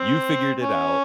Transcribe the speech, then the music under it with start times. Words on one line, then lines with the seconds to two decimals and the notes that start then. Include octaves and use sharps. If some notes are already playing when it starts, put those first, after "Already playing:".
you figured it out,
Already playing: C4
0.61 C#4